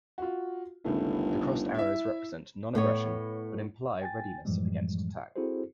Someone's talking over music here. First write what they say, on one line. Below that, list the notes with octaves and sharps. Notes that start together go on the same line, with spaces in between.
The crossed arrows represent nonaggression, but imply readiness against attack.
F4 F#4
G1 C#2 D#3 A3
E4 E5
A2 B3 C#5
G5 G#5 A6
F#2 A2 E3 F3 G3 G#3
C4 E4 F#4 G#4 A4 C5